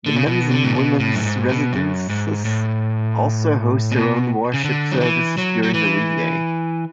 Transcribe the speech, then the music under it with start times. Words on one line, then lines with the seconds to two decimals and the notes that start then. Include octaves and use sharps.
The men's and women's residences also host their own worship services during the weekday.
0.06 D3
0.16 C#3
0.27 B2
0.51 D3
0.64 A2
0.75 B2
1.00 A2
1.14 F#2
1.23 G#2
1.49 B2
1.73 F#2
2.09 G#2
2.45 A2
3.92 B2
4.54 C#3
4.65 D3
4.92 F#3
5.01 E3
5.38 F#3
5.63 F#3
5.74 E3